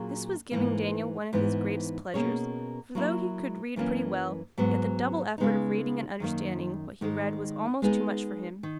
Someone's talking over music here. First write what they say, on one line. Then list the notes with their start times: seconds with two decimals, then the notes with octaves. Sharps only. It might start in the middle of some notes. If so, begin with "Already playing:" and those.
This was giving Daniel one of his greatest pleasures; for though he could read pretty well, yet the double effort of reading and understanding what he read was almost too much for him.
Already playing: A#2 F#3 A#3 C#4 G#4
0.51 G#2 E3 A#3
1.33 G#2 E3 B3
2.14 B2 A#3 C#4 G#4 C#5
2.95 F#3 A#3 E4
3.76 F#2 E3 A#3 C#4
4.58 G#2 F#3 B3
5.38 C#3 G#3 B3 D#4
6.20 F#2 D#3 A#3
7.01 G#2 D#3 G#3
7.82 G#3 B3 D#4 G#4
8.63 D#3